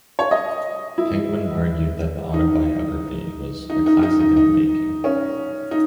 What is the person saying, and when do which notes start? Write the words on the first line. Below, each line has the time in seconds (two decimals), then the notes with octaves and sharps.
Penguin argued that the autobiography was "a classic in the making".
0.19 C#5
0.31 D#5
0.98 E4
2.34 D#4
3.70 D#4
3.86 D#4
4.03 D#4
4.20 D#4
4.37 D#4
5.04 C#4
5.71 D#4